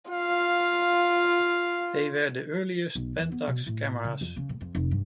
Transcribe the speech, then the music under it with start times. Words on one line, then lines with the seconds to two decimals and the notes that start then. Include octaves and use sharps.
They were the earliest Pentax cameras.
0.10 F4 F5
2.95 B1
3.19 E2
3.32 B3
3.47 B2
3.66 A2
4.05 C#3
4.21 F2
4.36 C#3
4.49 A2
4.61 F2
4.75 F1
4.91 G2